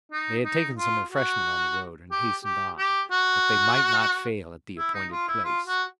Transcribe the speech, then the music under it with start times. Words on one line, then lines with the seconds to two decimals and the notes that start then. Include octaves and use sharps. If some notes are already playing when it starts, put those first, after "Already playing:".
They had taken some refreshment on the road and hastened on, that they might not fail at the appointed place.
0.11 D#4
0.44 D#4
0.78 F4
1.11 F#4
2.11 G4
2.44 G4
2.78 G4
3.11 F#4
4.78 E4
4.94 D#4
5.12 F4
5.28 E4
5.44 F4
5.67 F#4